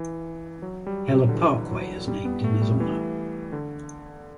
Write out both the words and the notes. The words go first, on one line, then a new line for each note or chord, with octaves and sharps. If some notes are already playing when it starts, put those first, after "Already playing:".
Heller Parkway is named in his honor.
Already playing: E3
F#3
G3
F#3
D3
E3
F#3
G3
B3
A3
G3
E3
D3